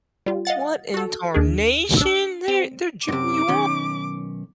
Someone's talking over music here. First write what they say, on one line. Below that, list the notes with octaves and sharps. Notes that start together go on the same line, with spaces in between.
What in tarnation? They're they're gypping you off.
G3 F4
D#5 F5 F#5 A6
F#4 A4
D#2 D4 G#4
D4 E6
C4
F#2 C3 D6
B1 D#3 C#4